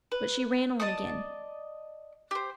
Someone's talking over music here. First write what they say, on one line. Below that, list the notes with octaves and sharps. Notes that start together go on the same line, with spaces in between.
But she ran on again.
B4
D5 D#5 A5 D#6
G4 C5